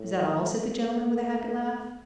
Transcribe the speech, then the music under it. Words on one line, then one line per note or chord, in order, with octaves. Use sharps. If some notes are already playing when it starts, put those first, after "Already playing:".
"Is that all?" said the gentleman with a happy laugh.
Already playing: A2
A3